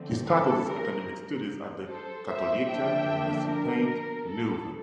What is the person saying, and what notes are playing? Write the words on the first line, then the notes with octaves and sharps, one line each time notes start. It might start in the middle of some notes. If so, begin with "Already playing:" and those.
He started his academic studies at the Katholieke Universiteit Leuven.
Already playing: D3 F3 A3 C4
A4
A#4
A4 C5
C5 E5
D3 F3 A#3 D4 E5 G5
A#4
A4